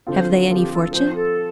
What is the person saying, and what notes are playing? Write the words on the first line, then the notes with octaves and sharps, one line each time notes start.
"Have they any fortune?"
D3 F3 C4 F4 C5
D3 F3 C4 F4 G4
A4
F3 C4 F4 C5
A4